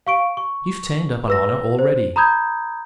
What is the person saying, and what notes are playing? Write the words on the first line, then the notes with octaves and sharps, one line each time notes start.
You've turned up an honor already.
F5 C#6 D7
C#6
B4 E6 A#6
C5
A#5 B5 D#6 G6 G#6